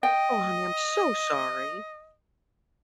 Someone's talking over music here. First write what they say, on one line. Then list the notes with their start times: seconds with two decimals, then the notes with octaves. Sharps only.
Oh, honey, I'm so sorry.
0.03 D#5 G5